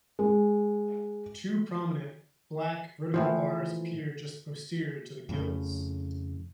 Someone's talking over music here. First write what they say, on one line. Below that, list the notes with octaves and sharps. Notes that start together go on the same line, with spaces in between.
Two prominent, black, vertical bars appear just posterior to the gills.
G#3
A2 E3 F3
F2 A2 C#3